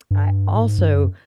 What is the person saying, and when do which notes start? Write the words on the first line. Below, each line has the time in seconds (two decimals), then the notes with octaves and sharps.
I also
0.11 G2
0.55 A2
0.62 G#2
0.79 G2
0.95 F#2